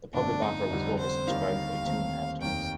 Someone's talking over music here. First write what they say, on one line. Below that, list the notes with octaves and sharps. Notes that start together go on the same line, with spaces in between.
The public offer was over-subscribed by two and a half times.
G1 F2 D3 A3 D4
D#4
F1 F2 D3 G3
C5
D#2 D3 G3 A#3 D#4 F5
D#2 D#3 A3 C4
F1 D#2 D#3 A#3 D#4 G5